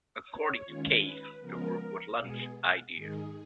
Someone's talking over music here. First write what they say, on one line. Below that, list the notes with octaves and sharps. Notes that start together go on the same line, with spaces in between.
According to Cave, the group was Lunch's idea.
C#5
D#3 G#3 C#4 F4
B4
C#3 F3 G#3 B3 A#4
B2 G#3 B3 G#4
G#2 D#3 G#3 D#4 G#4